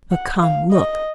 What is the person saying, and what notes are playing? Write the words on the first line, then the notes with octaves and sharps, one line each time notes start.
But, come--look!
F#5
F5
D#5